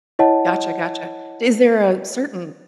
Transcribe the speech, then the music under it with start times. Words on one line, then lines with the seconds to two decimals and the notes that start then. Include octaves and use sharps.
Gotcha, gotcha. Is there a certain
0.19 E4 C#5 D#5 F#5 A5